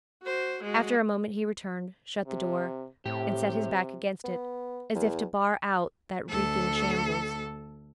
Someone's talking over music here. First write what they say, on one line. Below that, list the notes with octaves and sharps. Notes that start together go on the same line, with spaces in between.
After a moment he returned, shut the door, and set his back against it, as if to bar out that reeking shambles.
F#4 C5
G#3 F#4
C3
A2 C3 G4
B3
E2
D2 A4